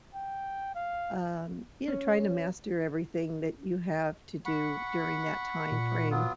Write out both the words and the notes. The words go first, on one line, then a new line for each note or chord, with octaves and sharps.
um, you know, trying to master everything that you have to do during that time frame,
G5
F5
C#4
F#5 B5 C#6
A#2
F#3 B3 F4